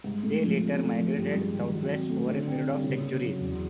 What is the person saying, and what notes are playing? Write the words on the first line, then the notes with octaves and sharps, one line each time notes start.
They later migrated south West over a period of centuries.
G#2
A3
F3
C3
A3
F3
G2
G#3
D#3
F#3
C4
A3
D3
C4
G3
C#3
A#3
F#3
E2